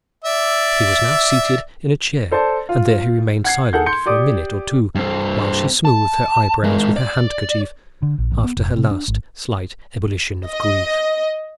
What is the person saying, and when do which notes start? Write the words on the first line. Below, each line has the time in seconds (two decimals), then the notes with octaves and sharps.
He was now seated in a chair, and there he remained silent for a minute or two, while she smoothed her eyebrows with her handkerchief after her last slight ebullition of grief.
0.24 D5 E5
2.31 A4 C5 D5 A5
2.69 F4
3.45 F#5 G#6 C7
3.73 G#4 A4 F#5 G6
3.86 C6 G6 C#7
4.06 G4 D5 D6 D#6
4.95 G2 C4
5.85 A5
6.64 G#3 A#4
6.96 D5
8.02 D3
8.18 A#1
8.32 A1
8.44 B3
8.57 F1
8.77 C3
8.91 D4
9.08 G#1
10.49 D#5